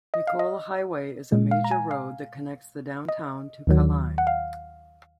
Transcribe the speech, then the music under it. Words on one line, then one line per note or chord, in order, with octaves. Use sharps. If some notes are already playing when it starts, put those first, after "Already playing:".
Nicoll Highway is a major road that connects the downtown to Kallang.
D#5
F5
D#5
A#2 G#3
F5
A#5
G#5
F5
D#5
D#2 D#3 F#3
F#5
F5